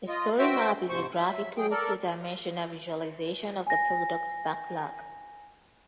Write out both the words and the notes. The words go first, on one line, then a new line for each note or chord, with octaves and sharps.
A story map is a graphical, two-dimensional visualization of the product backlog.
F4 D#5
F#4 C5 E5 G5
G#2 C3 C5 C#6
F#3 E5
F#3 G#4 G5
A4 A#4 D5
G#5 A#6